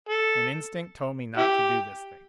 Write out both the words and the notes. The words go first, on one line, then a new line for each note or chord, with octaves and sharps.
An instinct told me not to do this thing.
A4
E4 G4